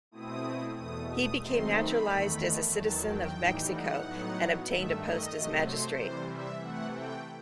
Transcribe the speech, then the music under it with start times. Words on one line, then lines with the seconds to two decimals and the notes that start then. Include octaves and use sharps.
He became naturalized as a citizen of Mexico and obtained a post as magistrate.
0.11 B2 A3 C4 E4 D#6
0.76 E2 B2 A3 D#6
1.09 D#6
1.41 F#2 D#3 A3 C4 D#4 C6
1.74 B5
2.06 E2 D#3 A3
2.70 E2 D#3 F#3 A5
3.04 G5
3.36 A2 E3 G3 D#4
3.68 F#5
4.01 A2 F#3 B3 D#4
4.66 G2 D#3 A3 E5
4.99 D#5
5.30 C3 F#3 A3
5.63 C5
5.95 C3 E3 G3 C5
6.28 E5
6.60 C3 E3 A3 F#5
6.92 G5